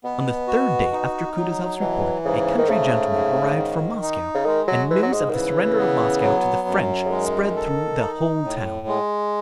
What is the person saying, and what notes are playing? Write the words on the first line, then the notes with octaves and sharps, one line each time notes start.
On the third day after Kutuzov's report a country gentleman arrived from Moscow, and news of the surrender of Moscow to the French spread through the whole town.
B2 B3
F#4
D#4
F#3
B2 E3
G#2 C#3
D#3
C#3 A3
G#2
D#3
D#4
C#3
D#3 G#3
F#3
G#2 E3
F#3
G#3
D#3
C#3 E3
B3
F#3
F#2
C#3
D#3 G#3
A4
D#4
A2
G#3